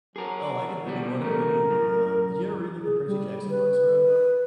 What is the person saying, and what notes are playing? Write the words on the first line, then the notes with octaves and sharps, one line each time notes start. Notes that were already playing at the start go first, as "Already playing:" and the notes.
Oh, I can think of one immediately. Uh, did you ever read, like, the Percy Jackson books growing up?
F#3 G#4 A#4
B2 G3
E2 C#3 A3 A#4
F#2
G#4
G3
B4